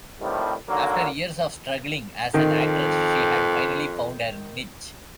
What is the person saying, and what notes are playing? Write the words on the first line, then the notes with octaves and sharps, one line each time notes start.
After years of struggling as an actress, she had finally found her niche.
A2 C3 D#3 F3 G3
D3 D#3 F#3 A#3
F2 D#3